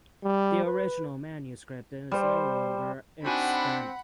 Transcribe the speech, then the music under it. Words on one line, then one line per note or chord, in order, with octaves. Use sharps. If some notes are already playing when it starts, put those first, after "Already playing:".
The original manuscript is no longer extant.
G3
B4
G3 C5
C4 D4 D#4 F#4 F#5 G#5 B5